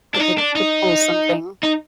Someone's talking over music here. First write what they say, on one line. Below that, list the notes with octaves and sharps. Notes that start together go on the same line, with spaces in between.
like, it it pulls something
D4
D#4
D4
D#4
D#4